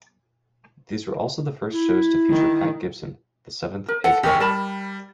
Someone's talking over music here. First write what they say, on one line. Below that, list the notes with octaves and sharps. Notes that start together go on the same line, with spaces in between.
These were also the first shows to feature Pat Gibson, the seventh Egghead.
E4
D#3
A#4
A4 F#5
A1 G4 A#4 G#5 C#6
G3 A#4 A5 B5